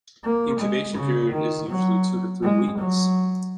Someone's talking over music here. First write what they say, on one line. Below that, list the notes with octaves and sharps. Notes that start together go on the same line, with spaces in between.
Incubation period is usually two to three weeks.
A#3
G#3
C#3
D#3
F#3
G#3
F#3